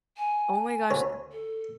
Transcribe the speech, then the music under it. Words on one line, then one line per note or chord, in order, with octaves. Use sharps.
Oh, my gosh, uh
G#5
D2 C#5
A4